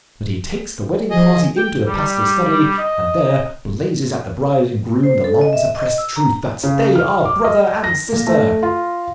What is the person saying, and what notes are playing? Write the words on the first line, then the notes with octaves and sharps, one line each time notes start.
But he takes the wedding party into the pastor's study and there blazes at the bride and groom the long-suppressed truth that they are brother and sister.
F3 G#4 D#5
G5
G3
D#5
C5
A4
D#5
E5
D#5
E6
A#5
C#3
F6
D6
D#5
A#6
A#2
A3
F4